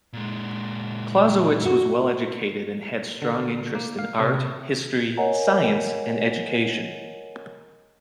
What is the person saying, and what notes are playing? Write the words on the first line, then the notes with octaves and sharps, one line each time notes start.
Clausewitz was well-educated and had strong interests in art, history, science, and education.
A#2 G#3
E4 F#4
D3
A#3
F5
C3
A#4 C#5 D#5 F#5 G#5 A#5